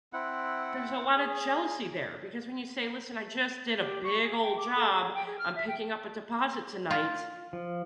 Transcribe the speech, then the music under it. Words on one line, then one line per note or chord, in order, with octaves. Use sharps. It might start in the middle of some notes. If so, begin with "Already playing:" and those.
there's a lotta jealousy there, because when you say, "Listen, I just did a big old job. I'm picking up a deposit tonight."
C4 E4 F#5
G#4
G4
C#6
G#4
G5
D6
A4
G#4
G5
G#4
F6
E5
G5
F4
F3